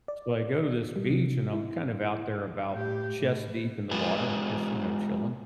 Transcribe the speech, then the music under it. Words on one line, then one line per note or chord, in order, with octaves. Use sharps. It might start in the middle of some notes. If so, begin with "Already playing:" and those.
so, I go to this beach, and I'm kind of out there about chest deep in the water just, you know, chilling
D5
G3
C3
E4
A2 G4
A2
G#3 F4 G4 B4 G#5